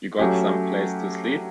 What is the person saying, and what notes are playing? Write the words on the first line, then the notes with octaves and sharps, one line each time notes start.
You got someplace to sleep?
F#3 A3 C#4 G4